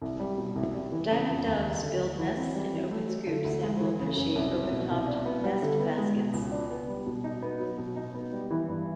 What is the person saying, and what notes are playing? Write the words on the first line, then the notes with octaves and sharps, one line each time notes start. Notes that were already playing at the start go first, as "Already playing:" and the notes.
Diamond doves build nests in open scoops, and will appreciate open-topped nest baskets.
C2
G3
B2
C2
G3
E3
C#3
F2
D#2
G3
D3
D#2
E3
C4
G3
E3
A3
F#3
D3
D2
G#3
E3
C#3
F#2
C2
F#3
B2
C2
D4
B3
G3
D3
B3
G#3
B2
C#2
D4
B3
G3
B2
D#4
B3
F#3
B2
D#4
B3
G3
E3
G2